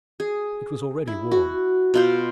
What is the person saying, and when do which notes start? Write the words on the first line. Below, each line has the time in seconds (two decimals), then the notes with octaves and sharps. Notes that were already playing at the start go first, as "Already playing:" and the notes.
It was already warm.
0.20 G#4
1.07 E4
1.32 F#4
1.94 B2 F4 C5